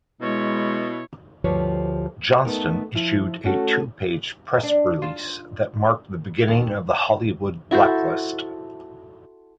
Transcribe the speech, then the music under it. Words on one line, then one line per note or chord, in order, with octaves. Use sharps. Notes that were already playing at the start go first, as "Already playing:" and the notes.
Johnston issued a two-page press release that marked the beginning of the Hollywood blacklist.
B2 G#3 E4 C#5
D2 G2 F3 G3 B4 C#5
A3 B3 D#4 A#4
F3 E4
A3 C#4 F#4 G4 A4
D4
F4
D#2
E4 F#4 A4 C5